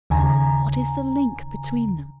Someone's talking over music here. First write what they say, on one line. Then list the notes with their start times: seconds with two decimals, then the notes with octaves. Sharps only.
What is the link between them?
0.10 D#2 C#3 G#5 A#5